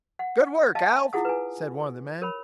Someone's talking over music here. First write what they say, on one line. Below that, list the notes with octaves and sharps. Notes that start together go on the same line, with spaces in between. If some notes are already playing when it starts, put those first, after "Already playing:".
"Good work, Alf!" said one of the men.
F#5
D#5 F5 A5
E4 F4 G#4 F#5 D#6
B4 G#5
A#4 C#5 B5